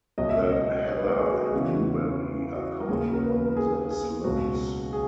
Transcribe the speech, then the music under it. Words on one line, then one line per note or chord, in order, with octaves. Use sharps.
The heather and blueberry are common on the slopes.
C#2 B2 F#3 D#5
E5
D#5
E5
D#5
C#5
B4
A#4
G#4
F#4
G#4
E2 C#3 E3 F#4
F#4
A#4
D#2 C#3 F#3 G#4
A#4
B4
B4
A#4
G#4
G#4
C#2 B2 F#3 F#4
G#4